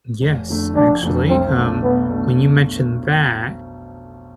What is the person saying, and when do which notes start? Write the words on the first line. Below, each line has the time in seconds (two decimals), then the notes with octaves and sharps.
Yes, actually, um, when you mentioned that,
0.21 F1
0.48 F2 D3 A3
0.74 F1 D4
1.03 F2 D3 A3
1.28 B1 C4
1.56 B2 A3 D4
1.83 B1 B3
2.10 B2 A3 D4